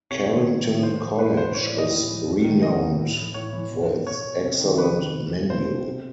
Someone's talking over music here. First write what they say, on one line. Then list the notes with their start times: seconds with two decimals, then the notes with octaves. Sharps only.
Carrington College is renowned for its excellent menu.
0.10 C3 C#5
0.29 D#3
0.46 C3
0.64 D#3
0.83 A2 C5
1.01 E3
1.18 A2 B4
1.36 E3 C5
1.54 A2 C#5
1.67 D5
1.73 E3
1.78 D#5
1.91 A2
2.08 E3
2.26 C3
2.44 D#3
2.62 C3 D#5
2.81 D#3
2.99 A2
3.17 E3
3.34 A2 C#5
3.53 E3
3.70 B2
4.06 B2 C#5
4.43 C3
4.60 D#3
4.78 C3 B4
4.97 D#3
5.14 B2
5.50 B2 C5
5.86 C3